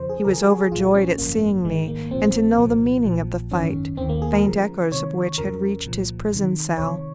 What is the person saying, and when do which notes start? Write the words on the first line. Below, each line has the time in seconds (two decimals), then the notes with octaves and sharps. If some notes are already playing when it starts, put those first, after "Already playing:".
He was overjoyed at seeing me, and to know the meaning of the fight, faint echoes of which had reached his prison cell.
Already playing: F2 C#3 F3 C5
0.09 G#4
0.24 C#2 C#3 F3 A#4
0.33 G#4
0.42 F#4
0.50 G#4
0.71 C2 A#2 F3 F4
0.95 C#4
1.18 G#1 F#2 C#3 F3 A#3
1.64 G#1 G#2 D#3 G#3
1.88 A#3
2.11 A#1 A#2 F3 C4
2.58 C2 A#2 F3
3.04 A#1 A#2 F3
3.51 G#1 F#2 D#3 C#4
3.97 D#2 D#3 C4
4.09 A#3
4.22 G#4
4.33 A#4
4.45 C#2 C#3 F3
4.91 C#2 C3 D#3 C#5
5.38 F2 C#3 F3 A#4
5.84 C2 A#2 F3
6.31 C#2 C3 D#3
6.77 C#2 C3 D#3 C#5